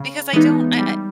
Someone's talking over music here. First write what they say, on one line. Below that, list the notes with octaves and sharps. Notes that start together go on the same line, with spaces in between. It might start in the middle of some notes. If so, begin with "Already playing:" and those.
because I don't I
Already playing: C#3
E3 G#3 B3 D#4
G3